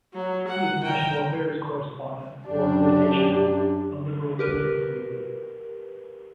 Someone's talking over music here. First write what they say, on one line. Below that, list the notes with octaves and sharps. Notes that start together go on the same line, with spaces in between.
He is national affairs correspondent for "The Nation", a liberal political weekly.
F#3
F#5
A#4 G5
F#2 D4 G4
G4 A#4 B4